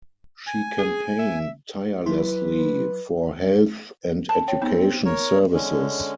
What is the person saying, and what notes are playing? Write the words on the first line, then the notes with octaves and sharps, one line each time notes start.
She campaigned tirelessly for health and education services.
G#5
G#4
E5
F#3 E4 B4 C6
A5
C#5 G5
B3 C4 D#4
A#4 C#5
D3 G#3 C#4